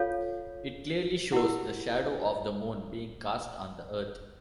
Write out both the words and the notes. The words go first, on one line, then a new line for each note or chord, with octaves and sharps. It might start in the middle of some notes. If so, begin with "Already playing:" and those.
It clearly shows the shadow of the Moon being cast on the Earth.
Already playing: F4 A4 C#5 F5
E4 G4 A#4 F#5